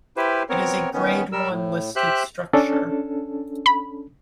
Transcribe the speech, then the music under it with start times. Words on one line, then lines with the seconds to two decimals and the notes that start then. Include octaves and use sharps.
It is a grade one listed structure.
0.17 E4 G4 B4 C5
0.49 B3 C4 A#4 C#5
0.93 D#3 B3 C#4
1.32 G3 A#4 E6
1.50 A2
1.96 G4 C5 E5 F#6
2.53 C#4 D4 A4
3.66 B5